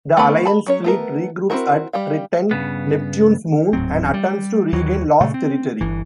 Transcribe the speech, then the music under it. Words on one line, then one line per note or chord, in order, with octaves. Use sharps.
The Alliance fleet regroups at Triton, Neptune's moon, and attempts to regain lost territory.
A3 B3 B5
A5 B5
F#3 C#4 C#5
A3 B3 A#4
C4 C#4 E4 F#4 A#4
G3 G4 F5
G2 C#3 B3
D1 G#2 F#3 C4
G3
D#2 D#3 E3 F#3
A#2 C#3 A3
C4
G1 E3